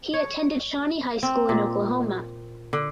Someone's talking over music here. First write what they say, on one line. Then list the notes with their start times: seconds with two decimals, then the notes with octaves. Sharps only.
He attended Shawnee High School in Oklahoma.
0.13 C#5
1.23 C4
1.49 A#2
2.73 D3